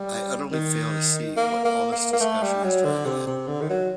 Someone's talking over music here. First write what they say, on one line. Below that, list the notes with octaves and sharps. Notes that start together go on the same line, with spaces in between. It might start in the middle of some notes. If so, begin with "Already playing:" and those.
I utterly fail to see what all this discussion is driving at.
Already playing: G3
D#3
A#3
A#3
A#3
A#3
A3
G3
F#3
D3
C3
C3
D3
D#3
F#3